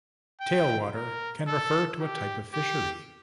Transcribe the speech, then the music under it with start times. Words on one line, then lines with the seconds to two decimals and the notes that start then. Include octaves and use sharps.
Tailwater can refer to a type of fishery.
0.41 G5
0.94 A#4
1.48 A4
2.01 G4
2.54 G4